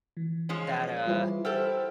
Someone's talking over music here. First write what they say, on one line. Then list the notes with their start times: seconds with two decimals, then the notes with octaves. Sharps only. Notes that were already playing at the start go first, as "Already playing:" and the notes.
that, uh
0.17 E3
0.49 F3 G#3 C#4
1.07 E3 G3 F4 C5
1.45 E4 G4 A4 C5 F#5 F6